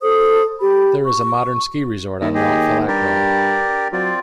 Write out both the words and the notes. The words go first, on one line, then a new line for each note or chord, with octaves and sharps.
There is a modern ski resort on Mount Falakro.
A4 C5 D#6
G4 B5
C#6
D#2 E4 A4 D#5
G4 G#4 D#5
G2 G4 A#4 D5
F#3 C4 F4 D5